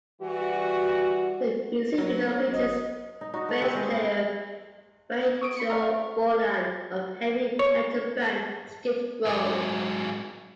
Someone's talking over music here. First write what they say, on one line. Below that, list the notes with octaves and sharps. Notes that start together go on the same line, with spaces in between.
The music video features bass player Rachel Bolan of Heavy Metal band Skid Row.
E3 G3 F#4
F#3
G#1 D#5
D#4
D#4 F#4
A3 F#4
C4 E4 G4 B4
G#3 C5 D#5 E5
C4 E4 B4
C#6 D#6 D7
B5 C#7
D5 F5 A#5
F5
C#5
G#2 F#3